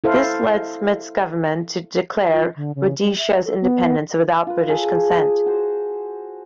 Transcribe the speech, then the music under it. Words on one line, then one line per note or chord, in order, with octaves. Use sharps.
This led Smith's government to declare Rhodesia's independence without British consent.
E4 A4 C5 F5
F4
D3
C#3
G3
E5
A4
B3
F4 B4
G#4 A4 C#5
F#4 C5